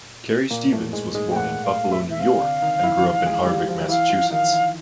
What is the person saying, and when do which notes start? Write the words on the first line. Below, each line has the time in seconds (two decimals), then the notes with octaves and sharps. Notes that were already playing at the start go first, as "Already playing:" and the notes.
Carrie Stevens was born in Buffalo, New York and grew up in Hardwick, Massachusetts.
Already playing: A#2
0.51 A#2 A#3
0.72 A2 A3
0.93 G#2 G#3
1.14 G#2 G#3
1.30 A3 G5
1.35 A#2 A#3 F#5
1.64 F5
1.92 E5
2.10 E5
2.19 C3 C4 F5
2.41 D3 D4
2.62 D#3 D#4
2.84 E3 E4
3.04 F3 F4
3.26 G#3 G#4
3.46 G3 G4
3.58 F#4
3.68 F3 F4
3.88 E3 E4 F5
4.10 F3 F4
4.31 D#3 D#4 F5
4.53 E3 E4